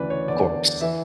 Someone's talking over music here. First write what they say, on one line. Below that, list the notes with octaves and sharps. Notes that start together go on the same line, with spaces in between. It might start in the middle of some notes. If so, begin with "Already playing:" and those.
Of course.
Already playing: D2 C#3 E3 B4 D5
C#5
E2 D3 D5
E3 E5